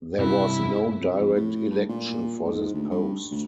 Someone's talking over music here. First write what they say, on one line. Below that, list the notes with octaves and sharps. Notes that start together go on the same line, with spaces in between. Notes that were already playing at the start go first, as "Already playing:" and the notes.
There was no direct election for this post.
G2 C3 E4
F2
F2
A2
G2
A#2
G#2
D2
G2
D2